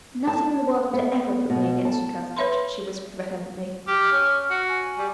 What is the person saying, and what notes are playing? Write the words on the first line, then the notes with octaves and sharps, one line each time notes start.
"Nothing in the world would ever put me against you, Cuthbert," she whispered vehemently.
A5
B3
B2
A5
B4 C#5 E5 B5 C6
G4 F6
C#4
F#4
G#5
G3